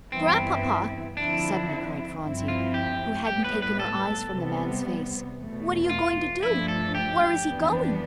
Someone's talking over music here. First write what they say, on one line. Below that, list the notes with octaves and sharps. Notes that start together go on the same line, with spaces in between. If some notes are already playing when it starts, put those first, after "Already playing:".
"Grandpapa," suddenly cried Phronsie, who hadn't taken her eyes from the man's face, "what are you going to do--where is he going?"
G2 E3 B3 C4 E4
D3 F3 C4 D4 E4
G2 F3 C4 E4
F4
G4
A2 G3 B3 G4
B4
B4
A4
C3 G3 B3
E2 B2 A3
F4
G2 F3 A3 D4 E4
A4
G4
F2 E3 B3 D4